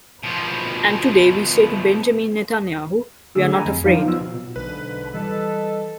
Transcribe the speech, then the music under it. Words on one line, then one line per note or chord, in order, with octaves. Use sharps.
And today we say to Benjamin Netanyahu: We are not afraid.
B2 F3
D3 A3 G4 G#4 E6
D#5 F#5 G#5 A#5 B5
F2
F3 F#3 D#4 F5
B3 F4 E6
B2
B1 G#2 D3 B4
E3 G3 A4 D#5